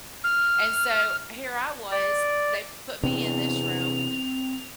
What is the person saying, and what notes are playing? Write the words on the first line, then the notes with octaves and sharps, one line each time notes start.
and so here I was, they've put me in this room,
F6
D5
E2 C3 B3 C4 D4 F7